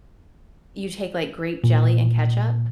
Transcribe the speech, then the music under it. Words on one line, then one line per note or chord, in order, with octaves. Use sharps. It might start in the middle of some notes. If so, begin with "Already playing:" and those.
you take, like, grape jelly and ketchup
A#2